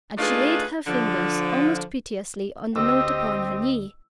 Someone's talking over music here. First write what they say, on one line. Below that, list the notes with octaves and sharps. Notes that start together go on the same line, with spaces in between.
And she laid her fingers almost piteously on the note upon her knee.
A3 D4 D#4 F4 G#4 B4
D3 F3
D2 C4 G4 D#5 E6